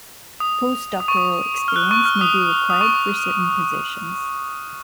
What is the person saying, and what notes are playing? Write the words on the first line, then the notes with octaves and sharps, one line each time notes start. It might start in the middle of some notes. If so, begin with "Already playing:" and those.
Postdoctoral experience may be required for certain positions.
D#6
D#6
C#6
D#6
F6
F#6
C#6
F6
D#6
D#6
C#6